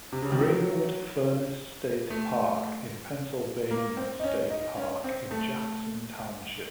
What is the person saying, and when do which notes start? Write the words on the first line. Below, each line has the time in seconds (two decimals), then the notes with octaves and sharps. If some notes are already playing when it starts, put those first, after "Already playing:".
Greenwood Furnace State Park is a Pennsylvania state park in Jackson Township.
0.12 C3
0.22 C#3
0.32 D#3
0.41 F3
0.50 F#3
2.10 A3
3.71 A#3
3.97 C4
4.20 D#4
4.23 C#4
4.50 D#4
4.77 C#4
5.04 C4
5.31 A3